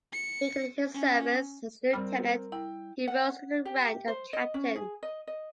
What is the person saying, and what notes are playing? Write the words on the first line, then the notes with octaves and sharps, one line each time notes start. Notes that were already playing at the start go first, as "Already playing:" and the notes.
Beginning his service as a lieutenant, he rose to the rank of Captain.
C#7
C#4
G3 C4 A#4 F6
E4 G5
F#5
G4
C5
D#5
C#4
G#4
D#5
D#5